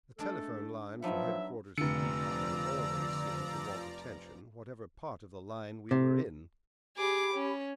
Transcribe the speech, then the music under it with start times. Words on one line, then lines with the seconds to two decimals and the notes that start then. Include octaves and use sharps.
The telephone line from headquarters to D Company always seemed to want attention, whatever part of the line we were in.
0.18 G#3 A3 D4 A4
1.02 F3 F#3 B3 D4 D#4 E5
1.78 F1 D3 F3 D5 A#5 E6 C#7
5.91 C3
6.97 G4 G#4 B5 D6
7.34 C#4